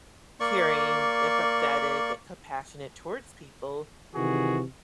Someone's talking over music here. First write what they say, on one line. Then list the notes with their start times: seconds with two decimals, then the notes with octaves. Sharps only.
caring, empathetic, and compassionate towards people,
0.40 A#3 D5 C#6
4.15 C3 D#3 E3 F#4 G#4